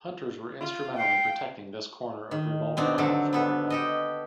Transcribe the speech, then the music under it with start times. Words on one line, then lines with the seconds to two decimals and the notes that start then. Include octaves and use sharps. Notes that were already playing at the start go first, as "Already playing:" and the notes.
Hunters were instrumental in protecting this corner of remote, wild Florida.
0.61 F4
0.96 F5 G5
2.31 D#3
2.77 B2 C4 D4 D#4
2.98 D3 F#3 C4 A4
3.33 B3 A4 B4
3.70 G4 A4 D#5